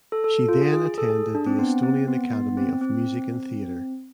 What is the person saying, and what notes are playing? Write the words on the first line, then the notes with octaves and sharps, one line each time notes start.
She then attended the Estonian Academy of Music and Theatre.
A4
A4
F4
G#4
G#4
G#4
A4
G#4
D4
C4
B3
C4
B3
B3
C4
C4